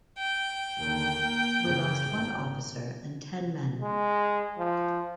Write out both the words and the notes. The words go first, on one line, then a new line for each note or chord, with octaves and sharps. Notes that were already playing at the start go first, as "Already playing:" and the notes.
We lost one officer and ten men.
G5
D#2 D3
A#3
F#2 C#3
G#1 G#2
G#3
F3